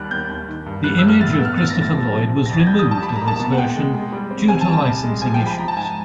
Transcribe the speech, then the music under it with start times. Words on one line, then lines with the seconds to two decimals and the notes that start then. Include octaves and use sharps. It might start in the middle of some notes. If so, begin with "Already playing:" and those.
The image of Christopher Lloyd was removed in this version due to licensing issues.
Already playing: D#2 G3 F6 F#6
0.11 D#2 G6
0.30 D#2
0.48 D#3
0.66 G2
0.84 G3 F#6
0.99 G2 E6
1.08 F6
1.21 A2 A6
1.33 E6
1.39 B3
1.45 F6
1.57 A2 A6
1.70 A#6
1.76 A2
1.82 A6
1.94 F3
2.13 C3
2.30 F3
2.46 A#6
2.49 F2 A6
2.60 G#6
2.67 G3 G6
2.79 D#6
2.85 G3
2.91 A5
3.03 G3 B5
3.16 A#5
3.21 A#3
3.28 A5
3.39 B2
3.52 F#5
3.58 G#3 G5
3.76 G#3
3.94 G#3
4.12 G3
4.31 C4
4.48 C4 G#5
4.61 A5
4.68 G3
4.73 A5
4.86 C2
5.03 G#3
5.22 F3 G#5
5.34 G5
5.40 F3
5.47 B5
5.59 F3 A#5
5.68 A5
5.76 G#2 G#5